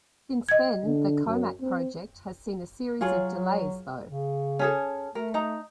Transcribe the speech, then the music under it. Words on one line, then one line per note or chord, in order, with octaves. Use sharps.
Since then, the Comac project has seen a series of delays, though.
D#5 G#6
D3
F#2
C4
F#3 F4 G#4 C#5
C#3
C#4 G#4 A4
A3 A#4
D#4 A#5